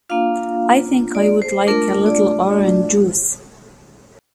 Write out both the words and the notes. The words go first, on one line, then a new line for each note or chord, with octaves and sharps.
I think I would like a little orange juice.
A#3 D4 F4 F5
D5
C5
A3 D4 F4 A#4
D5